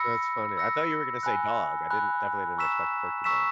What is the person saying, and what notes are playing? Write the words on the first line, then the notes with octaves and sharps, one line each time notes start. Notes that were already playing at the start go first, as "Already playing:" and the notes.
That's funny, I thought you were gonna say, dog, I didn't definitely didn't expect, porcupine.
Already playing: B5 E6 A#6 C#7
B5 E6 A#6 C#7
G#5 B5 F#6
G#5 B5 F#6
A#5 C#6 E6 B6 E7
A#5 C#6 E6 B6 E7